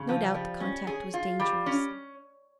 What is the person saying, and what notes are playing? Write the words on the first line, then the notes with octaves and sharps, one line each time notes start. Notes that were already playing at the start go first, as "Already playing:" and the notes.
No doubt the contact was dangerous.
Already playing: C#3
F3
G3
C#4
G#4
F4
G3
C#4